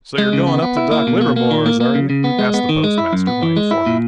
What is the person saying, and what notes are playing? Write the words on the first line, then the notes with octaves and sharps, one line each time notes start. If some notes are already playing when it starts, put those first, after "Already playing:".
"So you're going up to Doc Livermore's, are you?" asked the Postmaster, my informant.
G#3
C#3
B3
B3
E4
A#3
B2
A#3
A#3
D#3
A#3
A#3
C#3
C#3
B3
G#3
B3
D#3
G#3
E4
F#2
B3
E3
G#3
E4
A#2